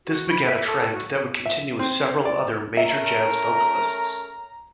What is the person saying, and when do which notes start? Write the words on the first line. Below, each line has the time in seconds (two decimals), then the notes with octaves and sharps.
This began a trend that would continue with several other major jazz vocalists.
0.06 F#4
0.30 B5
0.45 E5
0.67 A4
0.92 F#4
1.46 E5
1.79 C4
2.25 D5
2.77 A3 C#4 A#4 E5 A#5